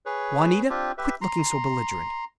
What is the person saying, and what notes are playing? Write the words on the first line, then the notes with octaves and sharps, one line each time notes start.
Juanita, quit looking so belligerent.
G#4 B4 C#5
C4 D4 F4 G4
G4 B4 E5
A#5 C6